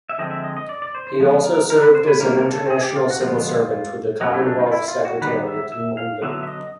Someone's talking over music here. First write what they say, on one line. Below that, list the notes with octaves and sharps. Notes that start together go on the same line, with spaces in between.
He also served as an international civil servant with the Commonwealth Secretariat in London.
E5
D3 F3 G#3 C4 D#5
E5
D#5
D#5
D5
D5
C5
C5
F3 G#3 B3
A#4
A#4
B4
C5
B4
D#3 G3 A#3 C#4 A#4
A#4
A4
G#4
G4
F4
F#4
D3 F3 G#3 B3 F4
F#3 A3 C#4 F#4
E4
D#4
D4
D#4
F4
E4
F4
F#4
D#3 G3 B3 B4
E5
E5
F5
D3 F#3 B3 E5
E5
D#5